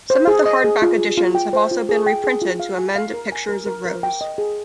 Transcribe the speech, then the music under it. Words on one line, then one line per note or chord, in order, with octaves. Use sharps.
Some of the hardback editions have also been reprinted to amend pictures of Rose.
C5
G#4
D#5
G#4
F4
G#4
F4
G5
C5
F4
G#4
G5
G#4
F4
F5
G#5
F5
A#4
G#5
A#4
A#4
A#4
G5
D#5
G#4